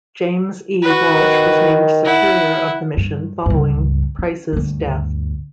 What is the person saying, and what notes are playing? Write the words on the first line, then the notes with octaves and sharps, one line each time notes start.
James E Walsh was named Superior of the mission following Price's death.
F#4 B4
D#3
E4 F#5
G2
C#2 G2
C#4
D2 G2